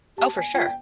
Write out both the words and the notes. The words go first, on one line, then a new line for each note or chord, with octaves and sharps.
Oh, for sure.
G4 A5
G#5
F4 G5
G5